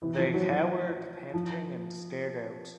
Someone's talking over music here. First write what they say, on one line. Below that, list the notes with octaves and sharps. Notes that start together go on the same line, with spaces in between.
They cowered panting and stared out.
E3
F3
F#3
F#3
F3